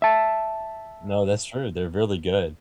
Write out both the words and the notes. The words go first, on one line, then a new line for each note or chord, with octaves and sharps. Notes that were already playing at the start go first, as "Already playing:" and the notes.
No, that's true, they're really good.
E5 A5